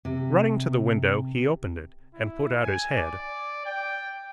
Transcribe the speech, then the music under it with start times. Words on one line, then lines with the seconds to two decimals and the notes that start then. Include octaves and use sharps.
Running to the window, he opened it, and put out his head.
0.05 C3
2.14 E4
2.64 G#5
2.94 D5
3.66 G5